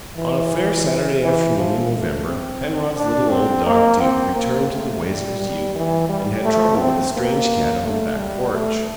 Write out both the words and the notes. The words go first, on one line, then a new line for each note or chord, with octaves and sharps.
On a fair Saturday afternoon in November Penrod's little old dog Duke returned to the ways of his youth and had trouble with a strange cat on the back porch.
E3
E3
F3
A3
C4
D4
C4
A#3
C4
A#3
A3
G3
G3
E3
G3
A3
C4
A#3
A3
G3
A3